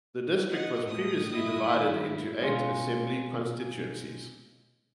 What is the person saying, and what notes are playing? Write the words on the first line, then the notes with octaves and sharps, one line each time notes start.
The district was previously divided into eight assembly constituencies.
D#5 F#5
A2 D#6
E4 D#5
D#3
B2 G#3 C#4 F4